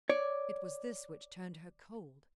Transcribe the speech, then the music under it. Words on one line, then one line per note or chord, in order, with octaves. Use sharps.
It was this which turned her cold.
C#5 D5